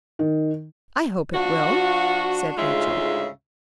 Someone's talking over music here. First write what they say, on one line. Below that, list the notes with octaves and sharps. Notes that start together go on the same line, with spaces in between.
"I hope it will," said Rachel.
D#3
F3 D4 F4 F#4
D2 G#2 C#3 G#3 F4 E5